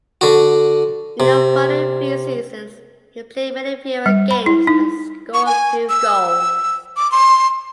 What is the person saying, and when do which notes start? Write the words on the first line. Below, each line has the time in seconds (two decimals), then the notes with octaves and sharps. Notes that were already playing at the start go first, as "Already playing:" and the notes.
In the following three seasons he played many fewer games and scored few goals.
0.21 D3 F#4
1.20 C3
4.06 G3
4.31 B5
4.46 E4
4.67 D#4
5.34 C#6
5.46 G#5
5.89 E6
6.97 D6
7.12 C6